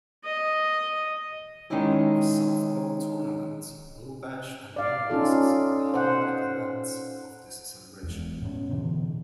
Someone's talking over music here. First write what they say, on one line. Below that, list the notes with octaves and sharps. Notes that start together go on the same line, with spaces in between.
A softball tournament, bull bash and mud races are highlight events of this celebration.
D#5
D#3 G#3 C#4 D#4 E4 G4
D5 F5
C#4 D#4 F4 A4
C5 F#5
E1 E2
A2 B3 C#4
B2 D3 E3